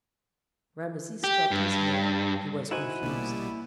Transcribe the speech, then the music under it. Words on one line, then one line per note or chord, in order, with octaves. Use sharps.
Rameses dropped his head; he was confused.
G4
G2
D#4 E4 F#4 C5 F#5 G#5
A#1 B2 G3 A#3